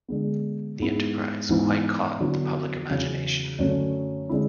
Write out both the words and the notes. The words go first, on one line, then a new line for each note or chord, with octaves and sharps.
The enterprise quite caught the public imagination.
D3 G#3 B3
G#2 G#3 B3 E4
G#2 E3 B3 E4
D3 F#3 B3 E4
E2 C#3 F#3
F#2 D3 F#3 A3 C#4
D3 G#3 C#4 E4